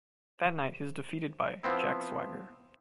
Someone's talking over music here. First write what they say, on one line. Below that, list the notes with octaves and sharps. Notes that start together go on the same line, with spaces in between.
That night he was defeated by Jack Swagger.
F3 B3 C4 E4